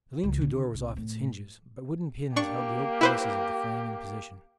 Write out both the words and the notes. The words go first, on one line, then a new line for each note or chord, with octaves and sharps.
The lean-to door was off its hinges, but wooden pins held the oak braces of the frame in position.
C#2
D3
C2
A2
A#3 D4 G4 C#6
E4 B4 C5